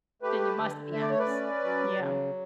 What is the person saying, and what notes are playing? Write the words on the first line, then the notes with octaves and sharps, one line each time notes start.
Then you must be honest. Yeah.
A3 G4 B4
D3
A3 E5
D5
C#5
B4 D5
C#4
F#3
C#3